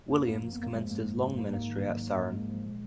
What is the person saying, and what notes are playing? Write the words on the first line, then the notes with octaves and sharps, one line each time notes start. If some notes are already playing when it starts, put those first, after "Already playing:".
Williams commenced his long ministry at Saron.
F#2 A#3
F#2 A#3
F3
B3
F#2 A#3
F3 G#3
G#2 A#3
G#2
F3
G#2 A#3
G#2 A#3
D#3
F#3
G#2
F3
G#2 G#3
F3
A#2